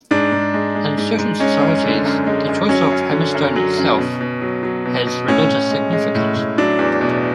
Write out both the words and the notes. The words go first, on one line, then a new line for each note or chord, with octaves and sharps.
In certain societies, the choice of hammerstone itself has religious significance.
G#2 D4
G#2
G#3
G#3
G#2
G#2
G#3 C#4
F#2
D3
F#2
G#3
F#2
F#3 C#4
F#2
D3
F#2
F#3
F#2
B2
B2
F#3
F#3
B2
B2
A2 C#4
A2
G#3
G#3
A2
A2
F#3 D4
E2
B2